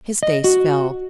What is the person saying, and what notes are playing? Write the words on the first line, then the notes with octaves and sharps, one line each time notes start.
His face fell.
D#5
F#4